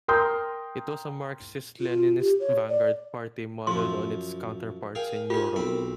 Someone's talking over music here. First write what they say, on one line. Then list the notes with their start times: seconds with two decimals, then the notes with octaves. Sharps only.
It was a Marxist-Leninist vanguard party modeled on its counterparts in Europe.
0.08 A#4 G5 A#5 C6 D#6 G6
1.80 F4
2.20 G4
2.40 C#5
2.69 D5
3.67 F#2 F3 C6
4.95 G#4 A#4 F5 G5
5.30 F4 G4 G#4
5.56 B1 C4 B5